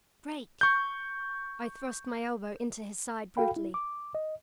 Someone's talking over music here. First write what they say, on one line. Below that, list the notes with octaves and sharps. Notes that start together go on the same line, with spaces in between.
"Drake!" I thrust my elbow into his side brutally.
C#6 G6
F#4 A4 F5 G5 B5
E4
D6
D#5